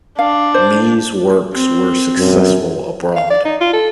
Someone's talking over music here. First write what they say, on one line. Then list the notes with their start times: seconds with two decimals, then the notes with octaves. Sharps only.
Mee's works were successful abroad.
0.19 D4 F5
0.54 C5
1.54 C4
2.17 F#2
3.16 F5
3.30 D5
3.45 D#4
3.61 F4
3.73 A4